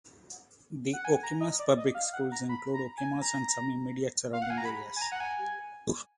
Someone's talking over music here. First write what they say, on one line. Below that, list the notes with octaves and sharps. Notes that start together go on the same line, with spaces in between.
The Okemos Public Schools includes Okemos and some immediate surrounding areas.
F#5
G#5
A#5
D#5
D5
D#5
F5
F#5
A#5
B5
A#5
G#5
A#5
F5
F#5
G#5
A#5
B5
G#5
A#5
F#5
G#5